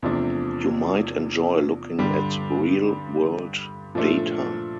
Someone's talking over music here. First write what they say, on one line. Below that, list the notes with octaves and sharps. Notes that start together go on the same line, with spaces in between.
You might enjoy looking at real-world data.
E2 C3 F3 A3 D4
G2 D3 G3 D4
A#2 F3 A3 D4 A4